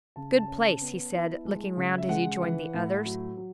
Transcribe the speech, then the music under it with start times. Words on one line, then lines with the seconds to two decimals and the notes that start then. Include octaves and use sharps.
"Good place," he said, looking round as he joined the others.
0.16 C#3 A5
0.38 A5
0.48 C#4
0.60 A5
0.81 B3
1.13 E4
1.45 G#3
1.77 C#3
1.98 E5
2.09 G#3 F#5
2.41 E3
2.74 A2
3.06 F#3
3.37 F#3